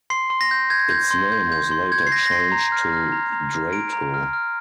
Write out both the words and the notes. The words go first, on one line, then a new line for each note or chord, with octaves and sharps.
Its name was later changed to Drayto.
C6 C7
C6
A#6
G6
G6 G#6
G6
C6
G6
G6
C6
G6 G#6
C7
G6 A#6
A#6
C6 C7
A#5
F6
F6
A#5
A#5
F6
A#5 D7
A#5
F6
F6